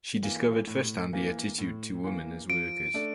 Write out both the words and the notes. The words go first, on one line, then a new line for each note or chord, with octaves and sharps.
She discovered first hand the attitude to women as workers.
E3 A#3
A2
E3 A#3
A2
E3 A#3
F3 D7
A3 D4 A4